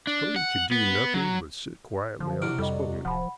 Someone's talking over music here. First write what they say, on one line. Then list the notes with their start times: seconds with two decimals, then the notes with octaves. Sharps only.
Cody could do nothing but sit quietly on his pony.
0.07 D4
0.36 F#5
0.72 B3
1.14 F#3
2.20 D3 F3
2.42 C3 F#3 D4 E4 F6 D7
2.58 F2 G3 A4 D#5
3.05 D1 F3 F#5 B5